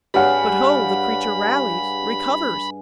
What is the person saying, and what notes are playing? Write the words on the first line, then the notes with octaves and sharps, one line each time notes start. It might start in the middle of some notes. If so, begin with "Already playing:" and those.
But ho! the creature rallies--recovers!
G2 G3 G#4 C#5 F5 F#5 B5